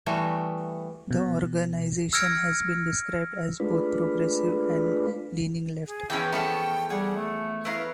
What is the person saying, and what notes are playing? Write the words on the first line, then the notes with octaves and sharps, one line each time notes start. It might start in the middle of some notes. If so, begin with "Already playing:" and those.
The organization has been described as both progressive and leaning left.
E3 G3 A3 B3 F#4
B2
E6 F6 G#6 A#6 C#7 D7
G#3 A3 D4 F4 B4
G#4
E2 F3 C#4 E4 F#5 G5
A3 B3 C#4 A4 F#5 G5
G3 G#4 F#5
A3
E4 A#4 B4 C#5 F5